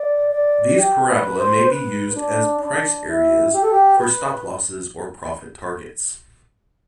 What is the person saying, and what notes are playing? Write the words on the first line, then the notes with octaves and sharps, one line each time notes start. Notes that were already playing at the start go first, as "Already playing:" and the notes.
These parabola may be used as price areas for stop losses or profit targets.
Already playing: D5
D5
G4
B4
C5
B4
D4
D4
E4
G4
A4
G4
B4